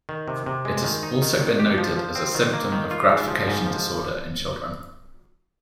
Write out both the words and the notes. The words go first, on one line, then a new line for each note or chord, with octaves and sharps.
It has also been noted as a symptom of gratification disorder in children.
D#3
C3
C3
G#3
D#3
D#4
D#3
D#3
G4
F3
F3
C4
D#3
A#3
D#3
F4
G#2
F3
G#2
F3